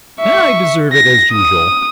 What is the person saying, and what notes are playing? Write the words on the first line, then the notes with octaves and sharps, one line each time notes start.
And I deserve it, as usual!
E5 C#6
A#6
D#6